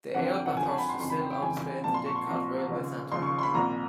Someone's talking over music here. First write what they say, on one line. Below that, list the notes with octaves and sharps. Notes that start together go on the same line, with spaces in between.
The "Earl Bathurst" is still on display at the Didcot Railway centre.
F2 D3 F3 F#5
G5
G5
F#5
F2 D3 F3 G#5
A5
B5
C6
F2 C#3 E3 C6
B5
G5
G5
F2 C#3 E3 G#5
C2 A#2 F3 A5
C6
C#6
C6
C2 A#2 F3
D#2 C#3 F3
D#2 C#3 F3 C6
C#6
C6
B5
C2 A#2 F3 A#5